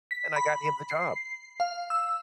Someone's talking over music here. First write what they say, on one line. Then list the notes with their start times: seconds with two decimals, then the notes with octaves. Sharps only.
and I got him the job.
0.11 B6
0.36 B5
0.90 C7
1.60 F5
1.90 E6